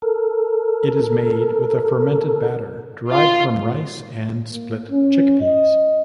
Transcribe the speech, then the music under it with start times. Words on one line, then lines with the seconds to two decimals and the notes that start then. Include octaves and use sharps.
It is made with a fermented batter derived from rice and split chickpeas.
0.02 A4 A#4
3.10 F4
4.49 A#3
4.90 C#4
5.40 D#5